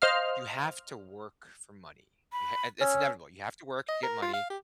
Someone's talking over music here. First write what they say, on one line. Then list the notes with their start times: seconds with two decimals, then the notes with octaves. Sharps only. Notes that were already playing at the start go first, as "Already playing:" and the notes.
you have to work for money. Y ha uh, it's inevitable. You have to work to get money.
0.02 C5 D#5 F5 F6
2.32 B5
2.81 C#4 E6
3.88 D#5
4.03 A#4
4.22 F4
4.34 F5
4.50 G4